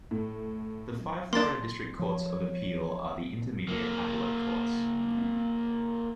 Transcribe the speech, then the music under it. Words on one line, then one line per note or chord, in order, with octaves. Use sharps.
The five Florida District Courts of Appeal are the intermediate appellate courts.
A2
A#3 D4 C6 A6
F3 C#5
A#3 E4